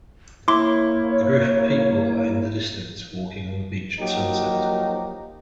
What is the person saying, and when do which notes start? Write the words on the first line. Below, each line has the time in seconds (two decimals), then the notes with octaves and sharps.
A group of people are in the distance walking on a beach at sunset.
0.48 A#3 E4 C#5 C6 D6
3.99 F3 F#3 A#3 D#4 F#4 G4